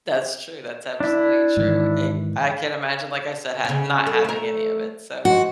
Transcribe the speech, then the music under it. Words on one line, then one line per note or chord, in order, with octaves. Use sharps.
That's true, that's absolutely true. Ay I can't imagine, like I said, ha not having any of it, so
D4 E4
G#2 D#3 E3
C#3 C#4
G2 A4
A3 A#4
G#2 F#4